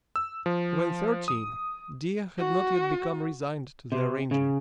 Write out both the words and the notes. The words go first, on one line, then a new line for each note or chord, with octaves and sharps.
When thirteen, Dea had not yet become resigned to the arrangement.
E6
F3
D#6
F#4
C3
C#3